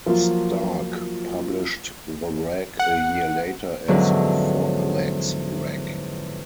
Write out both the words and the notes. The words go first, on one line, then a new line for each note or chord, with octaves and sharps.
Stark published the rag a year later as "Frog Legs Rag".
F3 F#3 A#3 F4
F#5
E2 G#2 D3 F3 F#3 C#4